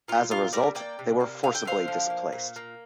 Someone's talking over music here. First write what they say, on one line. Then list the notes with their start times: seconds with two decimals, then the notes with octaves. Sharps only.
As a result, they were forcibly displaced.
0.08 A#2 F4
0.31 A#2 F4 A#4
0.53 G3 A#4 D5
0.75 A#3 D5 G5
0.99 C3
1.20 A#3
1.43 D3 F5
1.55 G5
1.65 D3 C5 F5
1.88 F3
2.10 A#3
2.33 A#2
2.56 A#3